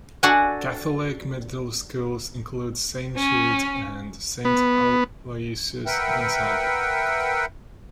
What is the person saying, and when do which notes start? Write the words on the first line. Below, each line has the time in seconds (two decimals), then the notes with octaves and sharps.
Catholic Middle Schools include Saint Jude and Saint Aloysius Gonzaga.
0.23 D4 F#4 A4 F#5 G#5
3.17 C#4
4.45 B3
5.86 A#4 B4 E5 F#5 G5